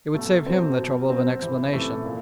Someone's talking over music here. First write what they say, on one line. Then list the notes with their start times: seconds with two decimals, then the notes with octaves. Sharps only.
It would save him the trouble of an explanation.
0.15 B2 F#3 A3
0.46 B2 F#3 C4
0.78 B2 F#3
1.10 B2 F#3 C4
1.41 C3 E3
1.73 C3 E3 A3
2.05 A#2